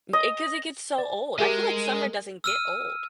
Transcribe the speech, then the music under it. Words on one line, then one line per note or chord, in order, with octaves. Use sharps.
It 'cause it gets so old. I feel like summer doesn't get old.
D#5
D5
G#3 G4 G#4 A#4 E5
E6 F6 D#7